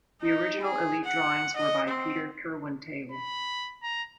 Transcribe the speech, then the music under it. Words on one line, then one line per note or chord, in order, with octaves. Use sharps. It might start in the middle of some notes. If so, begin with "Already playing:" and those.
The original Elite drawings were by Peter Kirwan-Taylor.
D#4
G#4
F#5
D#5
C4
B5
A#5